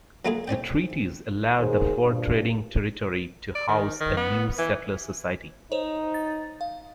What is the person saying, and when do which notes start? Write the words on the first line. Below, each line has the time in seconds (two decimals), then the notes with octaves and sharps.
The treaties allowed the fur trading territory to house a new settler society.
0.25 A#2 F#3 A3 A#3 F4 G#4
0.48 C4 C#4 D5 G5
1.60 D#2 D#3 F#3 G#4 A#4 C5
2.03 G2 A#2
3.55 D5
3.68 D#3
4.01 D#3
4.17 B3
4.59 E3
5.72 D#4 C5 C#5
6.14 A6
6.61 F5